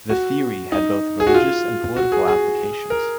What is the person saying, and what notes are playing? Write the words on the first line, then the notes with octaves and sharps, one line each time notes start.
The theory had both religious and political applications.
F#4
D#4
G#4
F#4
F4
F#4
G#4
G#4
A#4